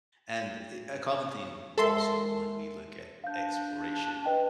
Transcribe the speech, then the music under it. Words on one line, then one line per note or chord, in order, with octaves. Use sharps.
and, eh, a common theme also when we look at exploration
G#3 A4 A#4 E5 C6
D4 F5 G6
B4 D#5 G5